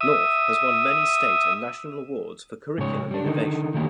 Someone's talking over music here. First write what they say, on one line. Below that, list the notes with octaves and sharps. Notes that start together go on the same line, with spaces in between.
North has won many state and national awards for curriculum innovation.
E5 D#6
G#2 C#3 C#5
G3 D4
D3 D#3 D#4
D#3 F#3 A#3 D4 G4